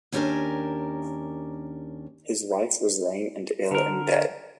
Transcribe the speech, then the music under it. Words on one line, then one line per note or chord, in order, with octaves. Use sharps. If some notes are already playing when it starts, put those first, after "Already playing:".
His wife was lame and ill in bed.
D#2 C#4 D4 G4 A#4 G#5
D3 A#4